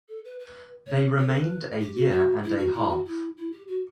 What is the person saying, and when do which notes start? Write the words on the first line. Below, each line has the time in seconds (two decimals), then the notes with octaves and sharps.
They remained a year and a half.
0.08 A4
0.25 B4
0.39 B4
0.86 C#5
1.18 C#5
1.27 A4
1.34 B4
1.81 G4
1.96 F#4
2.11 F#4
2.43 E4
2.58 F#4
2.73 E4
2.89 F#4
3.05 E4
3.37 E4
3.52 G4
3.67 F#4